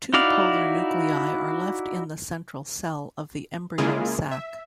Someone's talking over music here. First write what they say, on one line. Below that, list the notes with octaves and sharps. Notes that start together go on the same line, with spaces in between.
Two polar nuclei are left in the central cell of the embryo sac.
D#4 E4 F#4 D5 F5
C#3 G#3 A#3 E4 F4 G#4
E5